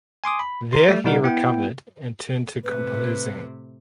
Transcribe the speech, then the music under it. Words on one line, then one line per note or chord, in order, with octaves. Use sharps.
There he recovered and turned to composing.
G#5 C6 D6 D#6
B5
A#5 C6
G3 A3
B2 G3 D#4 A#4 F#5
B3 E4 G5
A2 C3 B4